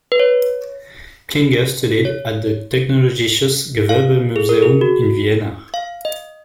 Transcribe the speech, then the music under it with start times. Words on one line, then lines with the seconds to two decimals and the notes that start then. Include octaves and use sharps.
Klinger studied at the Technologisches Gewerbemuseum in Vienna.
0.12 B4
0.20 C#5
2.05 C#5
3.89 F5
4.36 G#4
4.49 A#4
4.62 G#4
4.81 F#4
5.74 F5
6.05 D#5